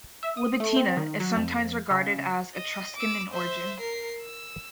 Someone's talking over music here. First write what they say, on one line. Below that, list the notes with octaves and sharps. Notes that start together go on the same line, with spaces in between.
Libitina is sometimes regarded as Etruscan in origin.
E5
D#6
A3
C4
D#3
F#3
F2
C#3
D#5
D6 E6
C5 E5
A#4 C7
E6